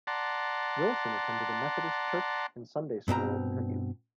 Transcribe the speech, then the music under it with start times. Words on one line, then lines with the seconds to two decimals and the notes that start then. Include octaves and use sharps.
Wilson attended a Methodist church and Sunday School in her youth.
0.07 D5 F#5 A5 A#5 C6
3.08 G2 B2 C4 A#5